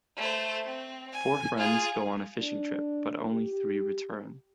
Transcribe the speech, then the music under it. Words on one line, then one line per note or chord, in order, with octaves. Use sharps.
Four friends go on a fishing trip but only three return.
A3 C5
C4
G#5
F4 G#4
D4
G4